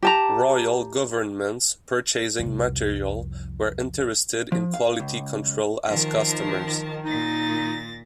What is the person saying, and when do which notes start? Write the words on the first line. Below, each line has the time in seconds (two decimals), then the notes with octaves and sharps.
Royal governments purchasing material were interested in quality control as customers.
0.03 G4 A5 A#5
2.39 C2 F2
4.52 F3
4.74 F5
5.00 C#2
5.87 D#3 F3 A#4 A5
7.05 A#2 D#4 A6 A#6